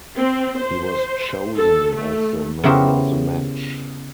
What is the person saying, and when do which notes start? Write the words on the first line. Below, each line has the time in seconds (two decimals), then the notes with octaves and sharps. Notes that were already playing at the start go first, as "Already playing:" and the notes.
He was chosen as the Man of the Match.
0.17 C4
0.59 C5
1.57 A4
1.96 A3
2.64 C#3 B3 E4 G4 A#4 C5